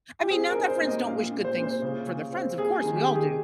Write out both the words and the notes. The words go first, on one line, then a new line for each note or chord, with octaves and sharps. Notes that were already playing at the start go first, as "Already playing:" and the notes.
I mean, not that friends don't wish good things for their friends, of course we all do.
G4
C4 G#4
A#4
D#4
C5
A#2
D#5
A#2 F5
A#2
C5
A#2
C5
C#3
C#3
C4
A#3 G#4
G#4
D#3
G4
D#3
G#4